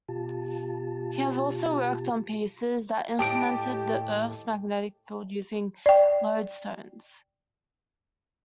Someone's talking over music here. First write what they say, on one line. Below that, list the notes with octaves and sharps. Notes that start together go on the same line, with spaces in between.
He has also worked on pieces that implemented the Earth's magnetic field using lodestones.
B2 F4 G4 A5
D#2 A2 G4 D#5 G5 A5 D6 D7
D5 G5